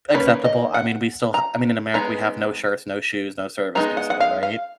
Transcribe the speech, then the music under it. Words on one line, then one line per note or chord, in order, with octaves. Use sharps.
acceptable, I mean, we still h I mean, in America we have no shirts, no shoes, no service, basically, right?
D#3 A#3 C#4 B4
D#5
F#5
A#5
G#3 B3 D#4 A#5
D#3 G#3 B3 D#4 A#5
F#5
F#5
F5
F5